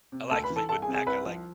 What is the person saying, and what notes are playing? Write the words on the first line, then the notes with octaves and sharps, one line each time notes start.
I like Fleetwood Mac, I like
C3
D2 A4 A5
B4 B5
E3
A4 A5
C2 A4 A5
G#4 G#5
C3
G#4 G#5
C2 B4 B5
F3